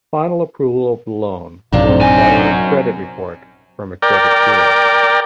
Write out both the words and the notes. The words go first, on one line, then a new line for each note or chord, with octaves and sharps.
Final approval of the loan will require a credit report from a credit bureau.
A#1 G2 C3 F#3 D4 D#4 F5
C4
F#2 G#5
A#4 D5 G5